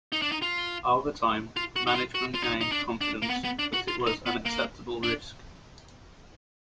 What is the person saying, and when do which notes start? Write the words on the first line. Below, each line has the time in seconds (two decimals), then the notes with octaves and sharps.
Over time, management gained confidence that it was an acceptable risk.
0.12 D#4
0.22 D4
0.32 D#4
0.42 F4
1.57 F4
1.76 F#4
1.87 D#4
1.95 F4
2.15 F#4
2.35 F4
2.43 D#4
2.61 D#4
2.72 D4
3.01 D4
3.22 A#3
3.30 B3
3.45 B3
3.59 D4
3.74 F#4
3.88 F4
4.07 D#4
4.26 B3
4.45 A#3
5.03 D4